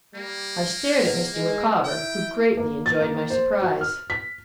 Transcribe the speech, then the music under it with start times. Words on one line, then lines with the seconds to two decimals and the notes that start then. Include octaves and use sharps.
I stared at Mr. Micawber, who greatly enjoyed my surprise.
0.15 G3 A#3
1.00 E2
1.31 G#3
1.84 E4 G5
2.57 A#3
2.86 A6
2.99 A#3
3.30 C5
3.62 F#4
3.81 F6
4.10 B6